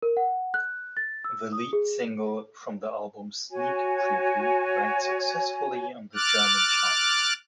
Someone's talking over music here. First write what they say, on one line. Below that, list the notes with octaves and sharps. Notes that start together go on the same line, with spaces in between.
The lead single from the album, "Sneak Preview", ranked successfully on the German charts.
A#4
F#5
F#6
A6
E6
D#6
G#4
F#4 C#5 G#5
D6 F6 F#6 A6